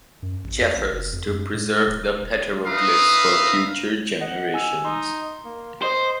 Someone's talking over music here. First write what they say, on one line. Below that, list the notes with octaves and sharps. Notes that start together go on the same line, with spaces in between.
Jeffers to preserve the petroglyphs for future generations.
F#2
A1
F2
A1
F1
F2
F#2
A2
D1
D#1
D#4 B4 E5 F5 D#6
D#5 F#5
G#5 E6
D#4 C6
A#3
C5 D#5